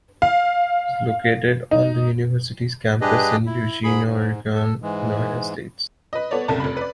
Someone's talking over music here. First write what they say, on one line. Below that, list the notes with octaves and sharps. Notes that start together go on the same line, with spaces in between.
It is located on the university's campus in Eugene, Oregon, United States.
F5
D#4
G2 D4 G4 G#4 B4 D#5
E4
G#2 G#4 B5
G#2
A4
G#2 E3 G#3
B4 D#5
B3 A4 C#5 D5
F#1 C2 A4 A5
F1 B5
B4 D5